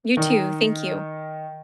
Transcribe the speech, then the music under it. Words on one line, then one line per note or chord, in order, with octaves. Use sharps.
You too. Thank you.
D#3 D#4